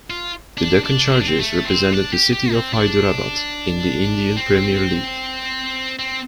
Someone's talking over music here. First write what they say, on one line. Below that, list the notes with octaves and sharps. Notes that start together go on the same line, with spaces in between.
The Deccan Chargers represented the city of Hyderabad in the Indian Premier League.
F4
D4
D4
C4
D4
C4
A3
C4
D4
G4
G4
C4
D4
C4
C4